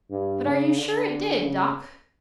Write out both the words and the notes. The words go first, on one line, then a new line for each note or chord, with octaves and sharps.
"But are you sure it did, Doc?"
G2
C#3
D3
C#3